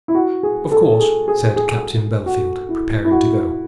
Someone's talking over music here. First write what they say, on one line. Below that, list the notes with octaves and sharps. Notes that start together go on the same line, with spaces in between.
"Of course," said Captain Bellfield, preparing to go.
E4
F#4
G#4
A4
G#4
G#4
G#4
F#4
E4
E4
F#4